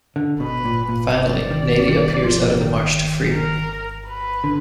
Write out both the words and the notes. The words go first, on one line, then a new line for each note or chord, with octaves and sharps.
Finally, Nady appears out of the marsh to free him.
D3
B2 B4
A#2
A#2
D5
D#3
D#3
D#3
F3
D#3
A#4
B4
D3